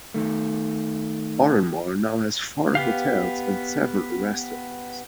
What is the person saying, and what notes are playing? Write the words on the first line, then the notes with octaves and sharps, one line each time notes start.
Oranmore now has four hotels and several restaurants.
D#3 A3
B3 G4 F5